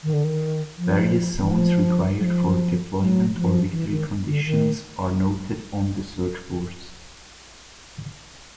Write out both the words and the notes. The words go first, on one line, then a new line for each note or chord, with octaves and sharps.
Various zones required for deployment or victory conditions are noted on the search boards.
D#3
D3
D#3
F3
E3
F3
F#3
F3
F#3
F3
E3
D#3
D3
D#3